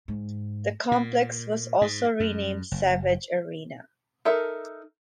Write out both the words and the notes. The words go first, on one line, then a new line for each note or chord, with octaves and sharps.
The complex was also renamed Savage Arena.
G#2
A#2
G#2
F#2
F#1
D#4 A4 A#4 E5